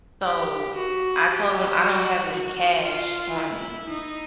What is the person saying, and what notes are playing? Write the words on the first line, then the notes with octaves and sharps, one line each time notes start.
so I told him, "I don't have any cash on me,"
G4
F#4
G4
F#4
F#4
F4
E4
D#4